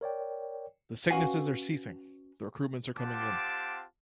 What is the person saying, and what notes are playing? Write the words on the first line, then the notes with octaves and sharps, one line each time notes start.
The sicknesses are ceasing; the recruitments are coming in.
A#4 C#5 D5 G5
C#4 F#4 B4 F5 F#5 G#5
C4 F4 G4 F#5 A5 D6